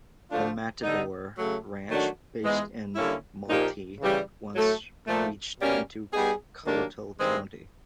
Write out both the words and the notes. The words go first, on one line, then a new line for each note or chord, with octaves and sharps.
The Matador Ranch, based in Motley once reached into Cottle County.
D3 F3 A3 D4 F4
D3 G3 B3 D#4
C#3 F#3 A3
D#3 F#3 A3 D4 F#4
G#2 E3 G#3 B3
D3 G3 A#3 C#4 E4
A#2 F3 A#3 D#4 G4
C#3 E3 G3
A2 F#3 A3
A#2 F3 A3
B2 G3 A#3 C#4
G3 B3 D#4 G#4
D#3 F#3 A#3 D4 G4
G2 D#3 G#3 C4